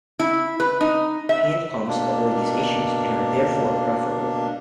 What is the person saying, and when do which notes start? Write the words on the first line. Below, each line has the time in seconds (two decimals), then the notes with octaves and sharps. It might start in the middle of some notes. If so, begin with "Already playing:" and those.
Hand pumps avoid these issues and are therefore preferable.
0.19 E4
0.60 B4
0.81 D#4
1.29 E5
1.88 B2 A#3 D4